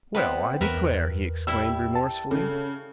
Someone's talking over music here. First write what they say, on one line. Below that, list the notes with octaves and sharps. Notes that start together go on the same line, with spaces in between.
"Well, I declare!" he exclaimed remorsefully.
B3 C4 B4
E2 A#4 B4 E5
G3 E4 E6
A5
C#3 A4